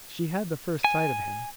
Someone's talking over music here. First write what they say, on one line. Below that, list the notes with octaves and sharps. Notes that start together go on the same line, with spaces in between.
She had the first sight of him.
G#5